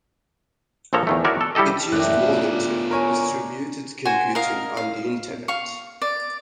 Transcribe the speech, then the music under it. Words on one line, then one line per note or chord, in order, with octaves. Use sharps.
It used volunteer distributed computing on the Internet.
A#1 A#2 F3 A4 C#5 A#5
E2 D#3 A3
E4 F#4 A#4 C#5 D5
A4
G3 E4 G4 A4 D#5
F#2 A2 D3 E3 G4 A#4 F#6
B3 F4
A#4 C#5 G#5
F#4 C5 G#5
A#4 D#5 F5
F5
F5 C#6
D5